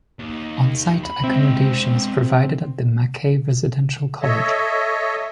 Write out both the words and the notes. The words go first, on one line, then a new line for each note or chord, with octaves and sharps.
On-site accommodation is provided at the Mackay Residential College.
D#2
B5
G#3 C4 E4
A4 C#5 D#5 E5